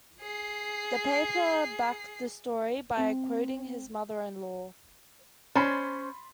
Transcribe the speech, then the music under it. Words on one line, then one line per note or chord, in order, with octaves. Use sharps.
The paper backed the story by quoting his mother-in-law.
G#4 C7
C4
C#4 C5 B5 C6 A6